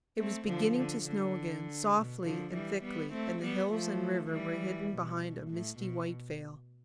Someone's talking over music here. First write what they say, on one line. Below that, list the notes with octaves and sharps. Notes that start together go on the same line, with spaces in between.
It was beginning to snow again, softly and thickly, and the hills and river were hidden behind a misty white veil.
A3 C4
D3 F3
D3
D3
B2
D3 F3
E3 G3
G3 B3
A3 C4
G3 B3
F3 A3
E3 G3
B2
A2
B2